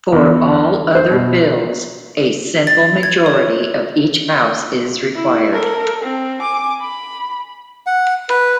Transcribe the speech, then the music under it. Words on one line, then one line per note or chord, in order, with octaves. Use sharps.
For all other bills, a simple majority of each house is required.
E2
C5
B2
A6
G#6
C#5
E4
A4 A#4
C4
G#5 D6
B5
F#5
B4